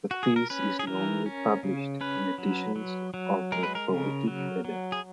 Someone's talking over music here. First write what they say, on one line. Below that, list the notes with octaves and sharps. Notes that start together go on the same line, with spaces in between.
The piece is normally published in editions of the "Poetic Edda".
F#4
G#4
A#4
C#4 B4
G#4
E3 A#4
C#4
C#3
C#4 B4
F#3
F#3
F#3
G#3 A#4
B4
A#4
C#3
F#3
F#3
G#4